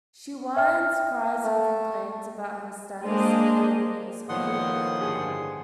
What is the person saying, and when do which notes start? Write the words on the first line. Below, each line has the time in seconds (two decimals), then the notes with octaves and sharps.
She whines, cries and complains about her status in the family as overlooked.
0.56 E5 G5 F6
1.43 A3
3.04 G#3 A#3 D4 G#4 C5 D#5
4.29 A2 D#3 F3 A#3 B3 F#5 C6 D#6
5.01 G2 D3 G#4